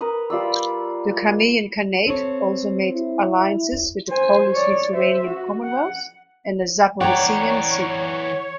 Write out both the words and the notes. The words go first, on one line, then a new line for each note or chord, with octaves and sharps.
The Crimean Khanate also made alliances with the Polish-Lithuanian Commonwealth, and the Zaporizhian Sich.
A#4 B4 D#6
G3 F4 D5 E6
C4 A4 C#5
E4
C5 G#5
C#5 D5
C5 E5
F#4
F#5
E3 C#5 D5 F#5 G5 A#5